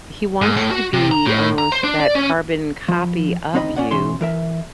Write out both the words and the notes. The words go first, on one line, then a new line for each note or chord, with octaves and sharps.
he wants to be almost that carbon copy of you
G#2
A2
F#4
C3
A#5
A2
A#5
C5
D4
D5
C#4
F3 B5
D2 C4 D#4 D#5 B5
C#4 D5 F#5
B2 E3 C#4 C6
E3 A#4 E5